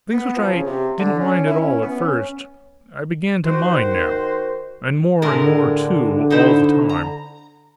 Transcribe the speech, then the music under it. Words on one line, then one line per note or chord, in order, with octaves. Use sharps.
Things which I didn't mind at all, at first, I began to mind now--and more and more, too, all the time.
B3
F3
C#3
C3
D3
C#4
E4
C#4
B3
C#4
D#3 F#4 C5
A2 D3 G#3 A#4
D#4 E4 C5
A#5